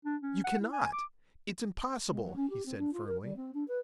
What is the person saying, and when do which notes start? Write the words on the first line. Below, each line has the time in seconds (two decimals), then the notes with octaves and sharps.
'You cannot! It's impossible!' he said firmly.
0.05 D4
0.22 C#4
0.44 F#5
0.60 E4
0.72 G#5
0.92 D6
2.10 G#3
2.23 F#3
2.36 C#4
2.50 G4
2.65 C4
2.78 D4
2.93 F4
3.07 A#4
3.23 G3
3.36 C4
3.54 D4
3.68 B4